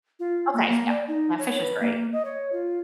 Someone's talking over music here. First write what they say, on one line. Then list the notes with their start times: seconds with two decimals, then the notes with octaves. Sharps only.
Okay, yep. Yeah, fish is great.
0.20 F4
0.53 A#3
0.69 A#3
0.89 D5
1.08 D#4
1.39 C#5
1.60 B4
1.80 A#3
2.13 D#5
2.25 C#5
2.53 F4